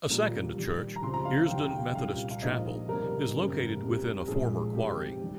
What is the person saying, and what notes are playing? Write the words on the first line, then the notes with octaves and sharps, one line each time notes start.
A second church, Earsdon Methodist Chapel, is located within a former quarry.
A#1 A#2 G3 A#3
D#2 D#3 G3
A#5
C#2 C3 F3 C6
A#5
F5
F5
F1 D#2 C#3 G5
F5
G5
C2 A#2 G3 F5
F5
A#1 G#2 F3 A#3 D#5
F1 F2 C#3 G3 A#3 A#4
G1 F2 C#3 G3
C2 C3 G3
A#1 A#2 G#3 G#4
F1 F2 C3 G4
D#3 G3